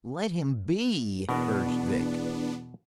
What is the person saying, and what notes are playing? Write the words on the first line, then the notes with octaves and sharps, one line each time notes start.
"Let him be!" urged Vic.
E2 B2 B3 D4 A#4